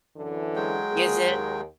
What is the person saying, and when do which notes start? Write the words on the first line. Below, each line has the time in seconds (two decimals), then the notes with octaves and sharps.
Is it?
0.15 F#2 D3 E3
0.56 F#3 G#3 G5
0.90 F2 A#3 G#4
1.27 D#2